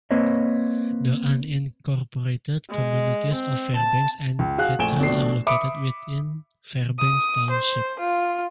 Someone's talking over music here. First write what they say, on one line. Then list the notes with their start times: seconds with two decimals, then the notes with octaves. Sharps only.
The unincorporated communities of Fairbanks and Petrel are located within Fairbanks Township.
0.11 A#3 C4 B4 C#5 D#5
2.70 G#3
3.33 C4
3.75 A5
4.39 C#2
4.58 F#4 G#4 F5 F#6
4.79 A#1 A3 G#5 D7 E7 G7
5.00 A#1 B2 A3 D4 C7
5.47 E5 B5 D6 D#6 C#7 D7
6.99 D#6
7.50 C5
7.99 F4